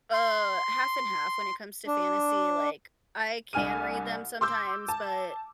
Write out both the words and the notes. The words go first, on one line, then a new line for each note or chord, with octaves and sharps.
uh, half and half when it comes to fantasy, like, I can read them sometimes, but
C6
D4
C2 D4 G#5 F6 D#7
C6 D6 E6 G6
A5